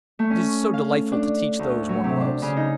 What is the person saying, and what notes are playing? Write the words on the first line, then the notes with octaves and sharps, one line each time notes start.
It is so delightful to teach those one loves!
A3
C#4
F5
D4
D2
F#3
C3
D4
C#3
D#4